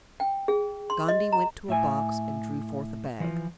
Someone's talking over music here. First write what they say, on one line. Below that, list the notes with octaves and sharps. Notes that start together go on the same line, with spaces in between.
Gondy went to a box and drew forth a bag.
G5
G#4
C6
D#5
A#5
A2 E5 G#5
E3 F3